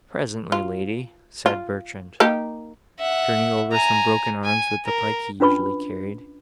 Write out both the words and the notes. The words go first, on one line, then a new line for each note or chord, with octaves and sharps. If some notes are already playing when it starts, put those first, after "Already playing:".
'Presently, lady,' said Bertrand, turning over some broken arms with the pike he usually carried.
F4
F4
A#3 D#4 G4
E5 F#5
G#5 A#5
G#5
A#4
C#4 D4 F4 B4 B5 C#6